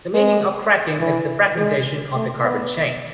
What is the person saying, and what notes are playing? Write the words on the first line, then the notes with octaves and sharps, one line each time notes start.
The meaning of cracking is the fragmentation of the carbon chain.
G#3
E3
G#3
A3
B3